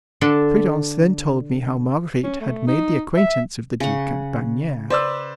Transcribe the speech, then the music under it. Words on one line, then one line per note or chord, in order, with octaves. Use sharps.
Prudence then told me how Marguerite had made the acquaintance of the duke at Bagneres.
D3 D4 A4
C#4
A3
D#4
E5
C#3 F#5
B4 C5 D5 E6